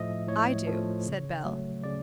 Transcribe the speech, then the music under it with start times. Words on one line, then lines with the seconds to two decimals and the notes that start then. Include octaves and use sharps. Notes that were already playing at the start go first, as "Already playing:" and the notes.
"I do," said Bell.
Already playing: A2 F3 A3 D#5 E5
0.28 A2 C#5
0.67 F3 A3
1.06 C#3
1.45 F#3 A3
1.84 C#3 D5